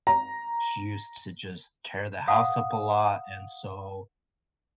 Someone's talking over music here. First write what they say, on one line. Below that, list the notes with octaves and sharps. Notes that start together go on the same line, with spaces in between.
she used to just tear the house up a lot, and so
A#5
F5 F#5 D#6